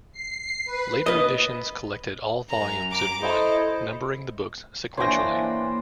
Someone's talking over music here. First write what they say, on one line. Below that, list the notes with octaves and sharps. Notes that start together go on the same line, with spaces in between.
Later editions collected all volumes in one, numbering the books sequentially.
C7
B4
B4 D#5
F#2 A#5
A#5 D6
E4 A4 C5 D#5
E3 A#3 D4 C5 C#5 G5 A#6